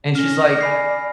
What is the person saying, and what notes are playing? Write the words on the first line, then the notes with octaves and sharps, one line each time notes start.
And she's, like,
C#4 F6 A#6
D5 A#6
G#5 B5 C7